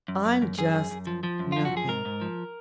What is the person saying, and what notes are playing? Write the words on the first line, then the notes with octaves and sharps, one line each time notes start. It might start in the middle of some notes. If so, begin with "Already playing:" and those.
"I'm just nothing."
F#2
F#2
F#2
F#2 G#4
F#2
F#2
F3
F3
F#2
F3 F4
F#4
F#2
G#4
G#2 A#4
G#2
F3